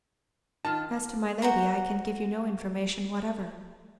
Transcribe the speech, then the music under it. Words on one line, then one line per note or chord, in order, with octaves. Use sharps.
As to my Lady, I can give you no information whatever.
D#3 F4 A5
F#4 C5 A#5